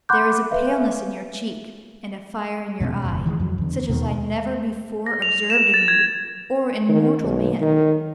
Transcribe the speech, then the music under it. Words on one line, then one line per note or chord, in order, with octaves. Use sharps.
There is a paleness in your cheek, and a fire in your eye, such as I never before observed in you, or in mortal man.
F#5 B5 C6 D6 F#6 G6
B4 E5 F5
E2 B2 G#3 C#4
F#1
D#3 E3 G3 G#3
F2 F#3
E2 D3
D#2 B2 D#3
A#6
F7
E7
A6
G#6
D#3
B1
D#3